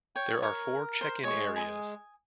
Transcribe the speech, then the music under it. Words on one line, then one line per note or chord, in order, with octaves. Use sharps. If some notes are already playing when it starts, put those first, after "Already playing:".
There are four check-in areas.
C#5 G5
A#4 C#5
C5
G#3 C#5 C#6
G#5 B5 D#6